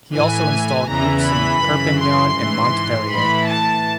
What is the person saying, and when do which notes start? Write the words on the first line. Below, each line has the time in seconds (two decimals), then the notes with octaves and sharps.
He also installed groups in Perpignan and Montpellier.
0.15 A2 E3 G#5
0.88 E2 C#3 E3 A#5
1.26 B5
1.63 F#2 C#3 E3
2.00 C6
2.37 G#2 E3
3.11 A2 E3 B5
3.48 A5